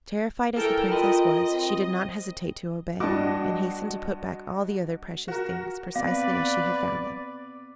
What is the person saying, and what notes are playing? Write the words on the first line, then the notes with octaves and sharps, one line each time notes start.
Terrified as the Princess was, she did not hesitate to obey, and hastened to put back all the other precious things precisely as she had found them.
E3 A4 A#4 G5
F4 A#4 D#5 G5 B5
C4
G2 F#4 D#5 D6
F#4 A#4
B3 C4 B4 D5 F5